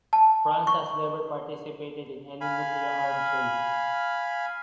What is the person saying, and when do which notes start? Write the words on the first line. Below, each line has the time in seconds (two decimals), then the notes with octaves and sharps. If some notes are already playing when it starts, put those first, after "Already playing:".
France has never participated in any nuclear arms race.
0.13 A5
0.67 C#6
2.41 F5 G#5 B5